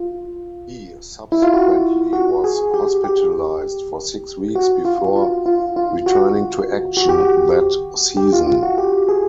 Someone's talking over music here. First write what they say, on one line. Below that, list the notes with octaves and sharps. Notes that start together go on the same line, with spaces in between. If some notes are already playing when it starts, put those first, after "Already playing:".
He subsequently was hospitalized for six weeks before returning to action that season.
Already playing: F4
E4
F4
F#4
F#4
G#4
G4
G4
F#4
F4
F4
F4
F4
F#4
F#4
G4
F#4
G4
F4
F4
F#4
G4
G#4